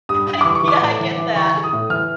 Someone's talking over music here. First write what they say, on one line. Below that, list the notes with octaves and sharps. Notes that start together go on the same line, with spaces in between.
I yeah, I get that.
G2 D#6
G2 D#6
E3 D6
C#6
E3 D6
A2
E3
E3
E3 C#6
E3
D#6
A2
E3 F6